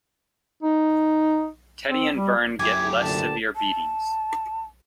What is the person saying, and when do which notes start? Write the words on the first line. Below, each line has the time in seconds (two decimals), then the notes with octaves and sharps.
Teddy and Vern get less severe beatings.
0.63 D#4
1.89 C4
2.14 G3
2.59 F#2 E4 G4 G#5 D6 G#6
3.02 D2 A#2 D3 A5
3.56 A5